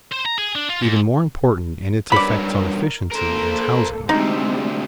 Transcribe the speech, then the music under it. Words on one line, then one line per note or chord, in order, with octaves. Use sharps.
Even more important in its effects on efficiency is housing.
C5
A#5
G#4
D4
F4
G#2
G2 F#3 A#4 D5 B5
A#3 A4 A#4 C5
D2 C3 G3 G#3 C4 D#4